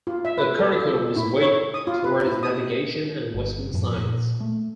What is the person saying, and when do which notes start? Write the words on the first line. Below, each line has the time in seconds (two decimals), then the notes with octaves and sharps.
The curriculum was weighed towards navigation and western science.
0.07 F4
0.25 E5
0.38 B4
0.59 A4
0.79 F4
1.16 E4
1.41 C#5
1.74 D#6
1.87 F4
2.04 B4
2.27 E4
2.43 D#6
3.34 G1
3.73 F#2 A2 F3
3.98 A#2
4.40 A3